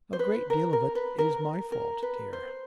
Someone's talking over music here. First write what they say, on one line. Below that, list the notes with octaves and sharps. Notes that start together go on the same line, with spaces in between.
'A great deal of it is my fault, dear.
C5
B4
A#4
A#4
B4
A#4
A#4
B4
C5